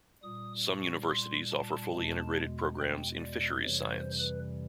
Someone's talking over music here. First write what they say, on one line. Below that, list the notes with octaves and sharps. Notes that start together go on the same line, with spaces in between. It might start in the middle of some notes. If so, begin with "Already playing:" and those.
Some universities offer fully integrated programs in fisheries science.
A#2 G3 D#6
C#6
C6
A5
E2 B2 G#3
G5
D5
F2 C3 E3 G3 C#5
C5
B4